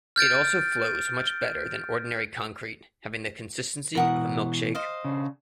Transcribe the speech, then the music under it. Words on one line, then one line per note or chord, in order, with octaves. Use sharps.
It also flows much better than ordinary concrete, having the consistency of a milkshake.
F6 G6 A6 D7
B2 E3 A#4 F#5 D#6
C5 D#5 F5
C#3 D4